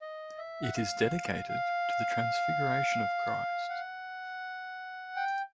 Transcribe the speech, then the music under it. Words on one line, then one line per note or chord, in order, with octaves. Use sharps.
It is dedicated to the transfiguration of Christ.
D#5
E5
F#5
F5
F5
F#5
G5